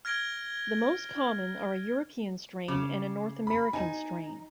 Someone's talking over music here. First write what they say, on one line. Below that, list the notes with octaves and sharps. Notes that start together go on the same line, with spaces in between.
The most common are a European strain and a North American strain.
F6 G#6 A#6 D7 G7
C#3 D6
B5
D#4 G#5